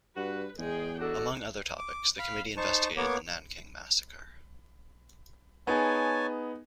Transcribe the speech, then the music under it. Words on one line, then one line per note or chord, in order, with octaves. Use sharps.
Among other topics, the committee investigated the Nanking Massacre.
G2 F#4 B4
E2 G#3 G#4 G5
D4 D#4 F#4 A4
D6
F5 B5
D#4 C5 A5 C#6
A#3 B3 C#5 D6
B3 D#4 G#4 C#5 G#5 A5